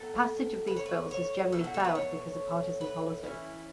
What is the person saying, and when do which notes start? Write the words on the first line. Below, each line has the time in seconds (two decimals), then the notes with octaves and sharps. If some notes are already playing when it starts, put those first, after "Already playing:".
Passage of these bills has generally failed because of partisan politics.
Already playing: A2 F#3 B3 A4
0.67 B4
0.76 C#5
0.86 B4
1.11 C#5
1.52 B2 F#3 A3 A4
1.64 F#4
1.74 A4
1.80 C#5
1.84 B4
1.95 C#5
2.81 B4
3.23 E3 C#4 E4